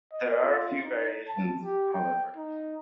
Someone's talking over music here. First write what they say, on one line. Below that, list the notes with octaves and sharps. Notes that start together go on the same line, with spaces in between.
There are a few variations, however.
D#5
F4
D#4
A5
G4
G5
D#4